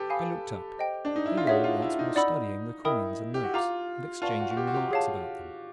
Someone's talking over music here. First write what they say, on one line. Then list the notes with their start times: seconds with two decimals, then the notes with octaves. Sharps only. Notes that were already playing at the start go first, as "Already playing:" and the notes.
I looked up: they were all once more studying the coins and notes, and exchanging remarks about them.
Already playing: G4 A4 B4
0.10 F5 G#5 B5 D#6
0.79 C5 D#5 G5
1.05 D4
1.16 D#4
1.26 E4
1.37 F4
1.47 F#4 G#4 C#5 E5
1.64 F4
1.82 E4
1.99 D#4
2.16 D#4 D5 F#5 B5 E6
2.85 E4 A#4 D#5 G5 B5 D#6
3.34 G4
3.43 F#4
3.54 F4 F5 A#5 D6
4.22 F4 B4 D5 F#5 A5 C#6
4.40 F#4
4.50 F#4
4.57 G4
4.67 F#4
4.74 G4
4.91 G#4 C#5 F5 A5